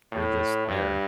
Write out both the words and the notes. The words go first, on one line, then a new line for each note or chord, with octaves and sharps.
They're just there.
A2
G2